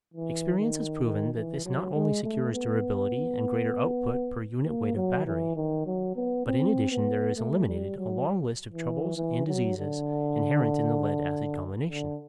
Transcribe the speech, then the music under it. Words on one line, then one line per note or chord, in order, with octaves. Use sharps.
Experience has proven that this not only secures durability and greater output per unit-weight of battery, but in addition there is eliminated a long list of troubles and diseases inherent in the lead-acid combination....
E3
D#3
D#3
E3
F#3
G#3
A3
B3
A#3
F#3
E3
D#3
F#3
B3
C4
B3
A3
G3
F#3
E3
E3
F#3
D3
D3